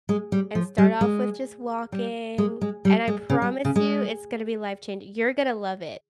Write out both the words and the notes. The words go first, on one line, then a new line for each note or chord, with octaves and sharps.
and start off with just walking, and I promise you, it's gonna be life changing you're gonna love it.
G#3
G3
F3
G3
G#3
G3
G#3
G#3
G3
G#3
C#3
G3
C#3
G#3